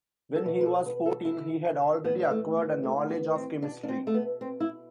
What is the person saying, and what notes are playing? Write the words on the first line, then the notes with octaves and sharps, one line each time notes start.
When he was fourteen he had already acquired a knowledge of chemistry.
A4
B2 B4
B4
A4
B4
A4
E4
A2 E3 B3
A3
B3
A3
B3
C4
B2 D4
D4
C4
A3
B3
C4
E4